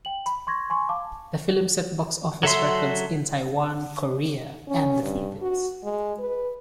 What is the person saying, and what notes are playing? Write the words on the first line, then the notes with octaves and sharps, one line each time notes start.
The film set box-office records in Taiwan, Korea, and the Philippines.
G5 F#7
B5
C6 C#6 G#6 A#6
G#5 C6 C#6
F5 A5 D6
F#3 A4 E5 C6
C#4
G2
F#4
G#3
B4